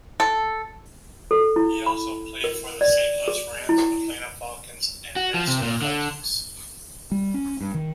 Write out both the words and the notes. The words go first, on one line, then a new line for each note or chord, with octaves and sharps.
He also played for the Saint Louis Rams, Atlanta Falcons and Minnesota Vikings.
A4
A4
E4
B5
A#4
D5
G#4
E4
F#4
F3
C3
A#2
D3
G3
C#4
G2
D#3